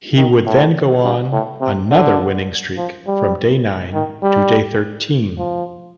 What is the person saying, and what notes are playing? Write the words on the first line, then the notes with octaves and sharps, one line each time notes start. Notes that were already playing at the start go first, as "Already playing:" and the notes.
He would then go on another winning streak from day nine to day thirteen.
D#3
A2
G2
A2
C3
D3
F3
G3
D#3
G3
F3